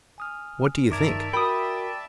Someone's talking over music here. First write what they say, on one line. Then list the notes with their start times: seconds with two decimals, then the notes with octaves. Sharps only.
What do you think?
0.18 G#5 D#6 F6
0.91 G2 D#3 A#4 D5 E5 A5 D6 G#6
1.33 F#4 A#4 G5 B5 D#6